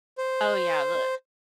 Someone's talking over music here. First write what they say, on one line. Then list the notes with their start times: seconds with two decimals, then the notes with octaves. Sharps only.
Oh, yeah, the
0.18 C5